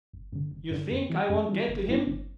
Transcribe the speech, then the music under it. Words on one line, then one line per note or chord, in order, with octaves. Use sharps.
You think I won't get to him?
G1
G2 D3
G1
G2 D3
F#2
E3 G3
F#2
E3 G3
G1
G2 F#3 B3 E4
G1